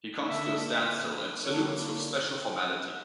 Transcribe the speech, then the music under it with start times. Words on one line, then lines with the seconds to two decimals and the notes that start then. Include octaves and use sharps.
He comes to a standstill and salutes with special formality.
0.23 D3 A#3 D4 E5
1.44 D3 A#3 D4 C#5